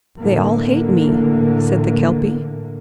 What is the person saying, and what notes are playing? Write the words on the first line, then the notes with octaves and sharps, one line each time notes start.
"They all hate me," said the Kelpie.
A2 D3 E3 A#3